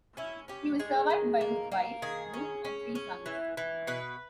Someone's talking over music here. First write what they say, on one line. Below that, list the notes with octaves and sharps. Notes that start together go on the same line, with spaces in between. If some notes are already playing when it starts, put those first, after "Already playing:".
He was survived by his wife, Ruth, and three sons.
C#4 E4
C#4 G4
G#3 G#4
D#3
A#3
A#3
D#3 G#4
C#4
C#4
C#4
E3
E3
B2 B4